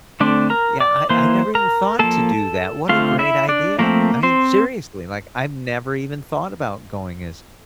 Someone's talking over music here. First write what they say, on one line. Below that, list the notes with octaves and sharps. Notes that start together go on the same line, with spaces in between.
yeah, I I never even thought to do that, what a great idea. I mean, seriously, like, I've never even thought about going as
D3 A3 C4 D4 D5
A#4 A#5
D5 D6
E3 A#3 C5 C6
A#4 A#5
F3 A#3 A4 A5
D3 A3 C4 F4 F5
E4 E5
D4 D5
F3 A3 A#3 C4 A#4
C4 C5